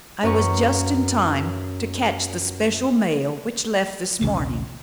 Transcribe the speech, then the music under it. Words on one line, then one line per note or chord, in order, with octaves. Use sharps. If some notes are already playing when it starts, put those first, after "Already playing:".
I was just in time to catch the special mail which left this morning.
F#2 B4 C#6
A#1 D#2 C3 C#4